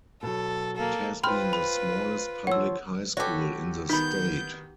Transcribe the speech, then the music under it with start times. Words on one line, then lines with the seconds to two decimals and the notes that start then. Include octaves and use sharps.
It has been the smallest public high school in the state.
0.23 B2 F#3 A4
0.76 A#3 A4
1.24 F4 B4 C5 G5 B5 C6 F6
1.53 B5
2.47 F3 C5 C#5 F#5 E6
3.17 F#4 G4 A4 B4 C#5
3.89 D#3 B3 D#4 B5 G6